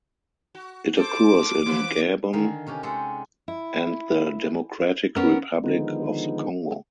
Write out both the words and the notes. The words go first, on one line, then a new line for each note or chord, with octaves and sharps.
It occurs in Gabon and the Democratic Republic of the Congo.
F#4
A4 C5 D6
E3 F3 B4
D3 D#3 D#4 A#4 F5 G#5
C3 C#4 G4 A#4
G#3 G4 A4 F#5
E4
B3 C#4 A#4
D3 D#3 F3 G#3 B3 D#4